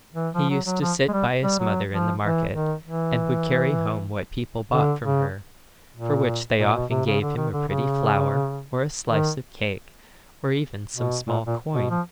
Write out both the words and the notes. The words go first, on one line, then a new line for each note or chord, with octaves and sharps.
He used to sit by his mother in the market and would carry home what people bought from her, for which they often gave him a pretty flower, or a slice of cake, or even some small coin.
E3
F3
F#3
F#3
F3
G#3
G3
G3
F#3
F3
E3
D#3
E3
D3
C#3
A#2
A#2
B2
C3
C#3
D3
D#3
D3
C#3
D#3
B2
A#2
A#2
B2
F3